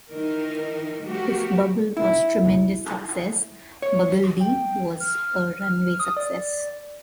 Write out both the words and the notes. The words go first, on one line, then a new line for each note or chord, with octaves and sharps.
If "Bubble" was tremendous success, "Buggle D" was a run-way success.
D#3 E3 D#4 A#4
F3 A3 F#4 G4 A#4
E4
C#5
G5
F6
F6
D#6
D5